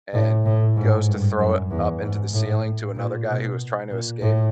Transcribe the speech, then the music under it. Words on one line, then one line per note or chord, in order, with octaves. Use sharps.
and goes to throw it up into the ceiling to another guy who was trying to escape,
A2
A2
G#2
G2
F#2
E2
G#2
A2
A#2
B2
A#2
A2